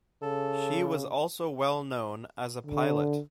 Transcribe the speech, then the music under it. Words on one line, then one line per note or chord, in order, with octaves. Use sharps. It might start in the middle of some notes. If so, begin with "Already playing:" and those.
She was also well known as a pilot.
C#3 A4
D3